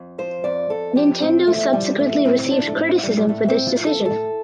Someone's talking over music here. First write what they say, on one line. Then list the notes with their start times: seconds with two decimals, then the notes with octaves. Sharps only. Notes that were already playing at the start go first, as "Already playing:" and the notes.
Nintendo subsequently received criticism for this decision.
Already playing: F2
0.18 F3 C5
0.44 F2 D5
0.70 F2 A4
0.96 F3 G4
1.22 A2 C4
1.47 F3 A3
1.73 F3 G3
1.99 A2 A3
2.25 A2 C4
2.51 F3 D4
2.68 A3
2.77 A2 C4
3.03 A2 G3
3.18 G3
3.29 A2 A3
3.48 C4
3.54 A2
3.67 F4
3.81 F3
3.86 A4
4.06 A2 A4